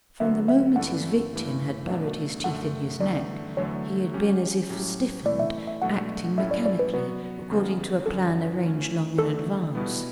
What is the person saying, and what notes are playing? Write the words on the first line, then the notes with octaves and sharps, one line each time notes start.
From the moment his victim had buried his teeth in his neck, he had been as if stiffened, acting mechanically, according to a plan arranged long in advance.
D3 F#3 B3 F#4 E5
E5
G2 E3 A3 D4 A4 F#5
G2 E3 A3
E2 B2 A3 D4 A4
F#2 D3 A3 F#5
E2 D3 A3 D5
E2 D3 F#3 A3 C#5
F#3 C#4 G4
A2 F#3 C#4 G4
E3 A3 E4 D5
E5
E5
B2 F#3 A3 D4 F#4 F#5
A2 F#3 C#4 E4 A4 E5
D5
D5
B4
F#3 B3 F#4 B4
E2 C#3 G3 B3
F#2 D3 G3 C#4 A4
E3 A3 C#4
E2 D3 A3 D4 A4
B2 G3 B3 E4